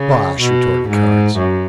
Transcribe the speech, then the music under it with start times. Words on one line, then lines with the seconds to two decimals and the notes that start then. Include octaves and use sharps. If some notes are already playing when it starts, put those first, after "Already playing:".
"Bosh!" retorted Carnes.
Already playing: C#3
0.41 B2
0.90 G#2
1.37 F#2